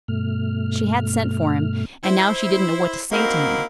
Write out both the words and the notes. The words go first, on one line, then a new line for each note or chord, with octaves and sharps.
She had sent for him, and now she didn't know what to say to him.
G2 B2 A3 F6
E4 C5
A#3 C4 D#4 E4 F#4 A#4